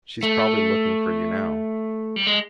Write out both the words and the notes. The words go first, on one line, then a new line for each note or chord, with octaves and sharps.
She's probably looking for you now.
A3
G3
G#3